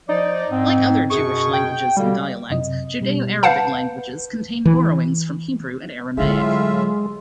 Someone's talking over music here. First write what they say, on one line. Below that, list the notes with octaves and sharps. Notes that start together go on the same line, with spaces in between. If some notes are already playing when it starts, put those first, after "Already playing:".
Like other Jewish languages and dialects, Judeo-Arabic languages contain borrowings from Hebrew and Aramaic.
F3 D#4 D5
G#2 C4
F#2 B2 G#4 C#6
G5
B2 D3 G3 A#3
F#2 C3 D#5
B2 G3
B4 F5 F#5 A5 G6
E3
A2 D3 F#3 G#3 F4 E5 C6